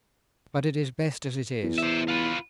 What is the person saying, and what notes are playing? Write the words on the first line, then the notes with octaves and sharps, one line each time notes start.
But it is best as it is.
E2
C5 E5
F4 B4